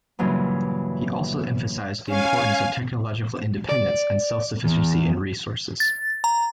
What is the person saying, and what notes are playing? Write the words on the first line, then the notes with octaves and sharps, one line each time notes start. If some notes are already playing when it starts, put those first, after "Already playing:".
He also emphasized the importance of technological independence and self-sufficiency in resources.
G2 A#2 C#3 E3 F#3
C#4 F5 G#5
D5
E2
A6
A#5